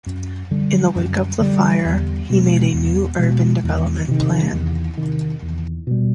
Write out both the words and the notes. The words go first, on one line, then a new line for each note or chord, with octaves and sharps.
In the wake of the fire, he made a new urban development plan.
F#2
D3 G3
F#2
D3 G3
E2
B2 G#3
E2
B2 G#3
E2
C3 D#3
E2
C3 D#3
E2
B2 G3